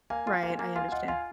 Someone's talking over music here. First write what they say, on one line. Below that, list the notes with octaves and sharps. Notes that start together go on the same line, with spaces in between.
Right. I understand.
A#3 F5 G#5
F4
A#3 F5 G#5
A#3
F4 F5 G#5
F4 D#5 F#5
F4 F5 G#5